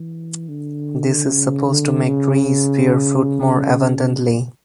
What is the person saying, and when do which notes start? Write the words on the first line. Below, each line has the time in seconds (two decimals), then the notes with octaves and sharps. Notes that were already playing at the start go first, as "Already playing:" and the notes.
This is supposed to make trees bear fruit more abundantly.
Already playing: E3
0.49 D3
1.27 C#3
1.66 D3
2.05 C#3